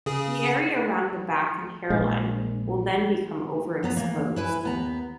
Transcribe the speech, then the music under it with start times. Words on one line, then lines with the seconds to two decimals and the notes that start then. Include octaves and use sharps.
The area around the back and hairline will then become over-exposed.
0.06 C#3 G#4
1.90 A#1 G#3
3.83 F#3 B3 A#5
3.97 E3 A#3
4.36 E4 B4 G#5
4.63 D#2 B3 A#5